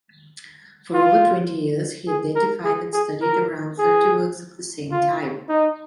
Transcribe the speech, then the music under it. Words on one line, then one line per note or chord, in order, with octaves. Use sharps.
For over twenty years, he identified and studied around thirty works of the same type.
F4
G#4
A#4
G#4
G#4
A#4
G#4
F4
D#4